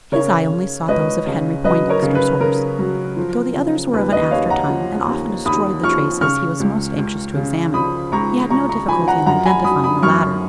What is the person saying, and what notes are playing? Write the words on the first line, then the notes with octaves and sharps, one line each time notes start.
His eye only sought those of Henry Poindexter's horse. Though the others were of an after time, and often destroyed the traces he was most anxious to examine, he had no difficulty in identifying the latter.
C#3 A#4 C#5
C#3
C#2 B4 D#5
C#3
F#3 B4 D#5
A#4 C#5
C#3
B4
C#3 A#4
F#3
F3
C#3
D#2 B4
B4 D#5
D#2 C#5 F5
F#5 A#5
F3
D#2
D#2 B5 D#6
F3 C#6 F6
C#3 C#6 F6
C#2
C#2
C#3
F3 B5 D#6
C#2 A#5 C#6
C#2 A#5 C#6
A#5 C#6
F3 G#5 B5
F#5 A#5
F#2 F#5 A#5
G#5 B5
F#3 B5 D#6
B5 D#6
F#2 C#6 F6